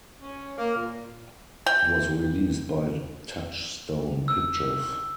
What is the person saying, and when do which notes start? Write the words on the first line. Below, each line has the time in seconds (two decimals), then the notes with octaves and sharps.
It was released by Touchstone Pictures.
0.19 C#4
0.57 A#3
0.76 A#2
1.66 G5
4.28 E6